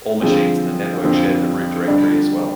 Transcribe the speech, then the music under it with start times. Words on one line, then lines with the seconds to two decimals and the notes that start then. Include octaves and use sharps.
All machines in a network shared the root directory as well.
0.21 D3 F3 G#3 C4
1.04 F2 D3 F3 C4
1.88 D3 G3 D4